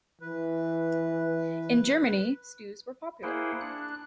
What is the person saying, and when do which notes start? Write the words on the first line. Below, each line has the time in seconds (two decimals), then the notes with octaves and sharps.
In Germany, stews were popular.
0.21 E3 B4
3.23 A#3 E4 G#4 C5 F#5 G5
3.61 D4 F#6